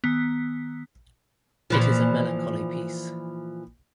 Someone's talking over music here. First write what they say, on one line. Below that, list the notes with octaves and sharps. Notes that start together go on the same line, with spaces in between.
It is a melancholy piece.
D#3 B3
A#2 E3 F3